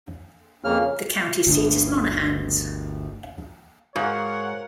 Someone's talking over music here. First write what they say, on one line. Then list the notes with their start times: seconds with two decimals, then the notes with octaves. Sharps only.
The county seat is Monahans.
0.64 F2 C#3 A#3 F6
1.47 G1 D2 B2 D4
3.96 G#2 F#4 A#4 C#5 F5 F#5